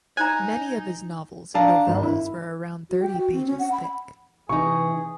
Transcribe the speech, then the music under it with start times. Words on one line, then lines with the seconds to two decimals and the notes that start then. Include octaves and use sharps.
Many of his novels and novellas were around thirty pages thick.
0.17 D#4 C5 G#5 A#5
1.54 D4 D5 F5 A5 A#5
1.87 G#1
2.03 E4
2.90 F#4
3.02 G5
3.18 F#4
3.33 C4
3.47 C#4
3.59 F#5
3.72 B5
4.49 C3 E3 D#4 G#4 C#6